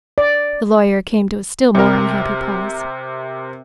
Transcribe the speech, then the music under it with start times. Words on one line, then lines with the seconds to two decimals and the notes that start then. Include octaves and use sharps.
The lawyer came to a still more unhappy pause.
0.18 D5
1.75 C3 A#4